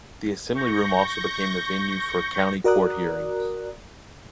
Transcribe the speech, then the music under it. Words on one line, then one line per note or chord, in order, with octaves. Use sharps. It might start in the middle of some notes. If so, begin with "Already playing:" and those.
The assembly room also became the venue for county court hearings.
C#6 G6 A#6
F#4 A#4 D5 A#5 D#6 F#6